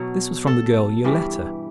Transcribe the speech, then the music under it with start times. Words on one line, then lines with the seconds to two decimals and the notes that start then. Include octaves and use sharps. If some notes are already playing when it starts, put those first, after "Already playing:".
This was from the girl Yoletta.
Already playing: B2 F#3
0.47 A4
1.04 G2 E3 G3